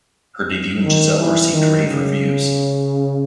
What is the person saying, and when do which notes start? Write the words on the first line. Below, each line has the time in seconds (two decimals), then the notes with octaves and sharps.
Her debut in "Giselle" received rave reviews.
0.84 D#3
1.18 E3
1.53 D#3
1.87 C#3